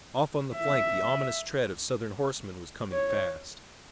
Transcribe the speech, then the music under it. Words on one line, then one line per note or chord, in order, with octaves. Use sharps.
Off on the flank the ominous tread of Southern horsemen was coming fast.
E5
C#5